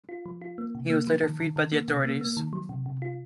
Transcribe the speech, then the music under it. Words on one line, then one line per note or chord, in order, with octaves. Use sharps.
He was later freed by the authorities.
F4
F3
F4
A#3
C3
A#3
F3
D#3
D#3
D#3
A#3
C3
A#3
A#3
D#3
F#3
C3
C3
F4